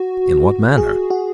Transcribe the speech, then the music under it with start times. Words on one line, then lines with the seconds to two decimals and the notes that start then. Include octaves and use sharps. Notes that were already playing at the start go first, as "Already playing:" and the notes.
"In what manner?"
Already playing: F#4
0.78 G#4
1.10 F#4